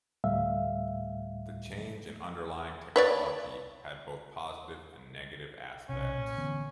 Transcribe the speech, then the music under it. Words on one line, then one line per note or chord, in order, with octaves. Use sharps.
The change in underlying technology had both positive and negative aspects.
D2 A2 G3 A3 E5 F5
B4 C#5 D5
B1 C3 C#4
A#2
D3 E3 B3